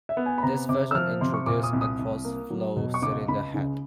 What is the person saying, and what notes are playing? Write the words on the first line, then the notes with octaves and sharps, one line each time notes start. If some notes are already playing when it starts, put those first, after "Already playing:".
This version introduced a cross-flow cylinder head.
E5
B3
G#5
B5
C3 A#5
C3 D6
E6
F3 F6
C3 C6
C#6
A#2 D6
D#6
C2
D#6
C2
A#3
F#3
B2
C#6
C#2 D6
C#2 B5
C#3